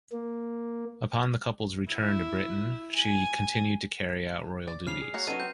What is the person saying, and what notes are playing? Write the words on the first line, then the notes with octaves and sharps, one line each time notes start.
Upon the couple's return to Britain, she continued to carry out royal duties.
A#3
E4
G#5
D5
C#3 F3 F6 C7 F7
G#4
A#3 F#4 C#5
D#3 F#3 B3 C#4 A4 D#7
C4 G6